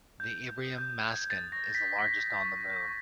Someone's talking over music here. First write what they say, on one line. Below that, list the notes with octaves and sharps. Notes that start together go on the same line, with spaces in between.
The Imbrium mascon is the largest on the moon.
G6
G6
D#6
G6
F#6 G#6
A6
C#6 A#6
B6
F#6
C#6
C#6